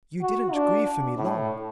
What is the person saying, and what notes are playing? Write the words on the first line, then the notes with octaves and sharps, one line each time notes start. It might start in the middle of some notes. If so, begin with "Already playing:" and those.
You didn't grieve for me long!
F#4
D4
A2